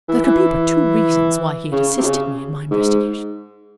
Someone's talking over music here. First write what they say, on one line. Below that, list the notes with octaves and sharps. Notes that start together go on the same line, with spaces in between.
There could be but two reasons why he had assisted me in my investigation.
E3
E3
C#3
C3
C#3
G#2